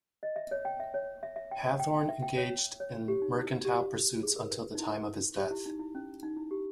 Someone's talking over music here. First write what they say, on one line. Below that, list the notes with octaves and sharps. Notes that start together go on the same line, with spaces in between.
Hathorn engaged in mercantile pursuits until the time of his death.
D#5
E5
C#5
G5
E5
C#5
E5
E5
G5
G#5
G5
G5
E5
G5
C#5
C#5
G4
D#4
E4
G4
G#4
A#4
B4
D#4
E4
G4
E4
D#4
E4
C#4
D#4
E4
G4